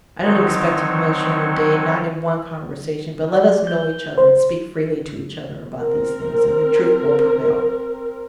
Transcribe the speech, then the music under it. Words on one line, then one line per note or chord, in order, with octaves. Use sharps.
I don't expect to convince you in a day,--not in one conversation; but let us know each other, and speak freely to each other about these things, and the truth will prevail.
D3 D#3 F#3 C4 D#4 C#5
D5
G6
C5
C4 A#4